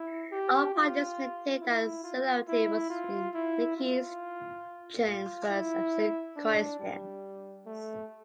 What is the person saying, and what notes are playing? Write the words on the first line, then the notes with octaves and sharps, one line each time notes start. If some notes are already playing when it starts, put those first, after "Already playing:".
All parties maintained that the similarity was, in Nicky Chinn's words, "absolute coincidence".
Already playing: E4
G4
F4
E4
F4
E4
F4
E4
F4
F4
E4
D4
G3
A3